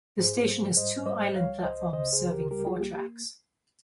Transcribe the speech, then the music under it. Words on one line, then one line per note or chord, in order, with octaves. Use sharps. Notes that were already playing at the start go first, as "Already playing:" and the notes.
The station has two island platforms serving four tracks.
G#2 G#4 C5
G3
G#2 C5 D#5
G3 C5 D#5
C#2 C#5 F5
C#2 C5 D#5
C#3 C5 D#5
G#4 C5
C#2
G4 A#4
G3 G4 A#4
F4 G#4
A#3 G4
G4